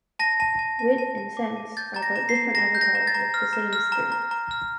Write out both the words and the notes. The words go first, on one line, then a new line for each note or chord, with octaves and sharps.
Wit and sense are but different avatars of the same spirit.
A5 A#6
A5
A5
A5
A5
A5
D6
A5
G6 A6
A#5 A6
A#6
A#5
C7
A#5
A#5 A#6
G6
A#6
A#5
A6
A#5
F6
A#5
F6
A#5
A#5
A#5
F6